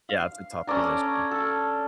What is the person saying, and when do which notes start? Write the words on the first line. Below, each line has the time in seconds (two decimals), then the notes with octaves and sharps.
Yeah, it's a tough position.
0.09 F5
0.67 C#4 A4 D5 A#5
1.31 A4